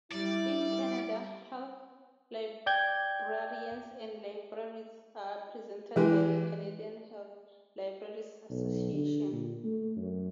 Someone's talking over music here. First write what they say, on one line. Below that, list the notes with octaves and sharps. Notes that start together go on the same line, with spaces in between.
In Canada, health librarians and libraries are represented by the Canadian Health Libraries Association.
G3 E4 D5
D5 G5 G6 G#6
E3 G#3 G4
B1
D3
A#2
A3
F#2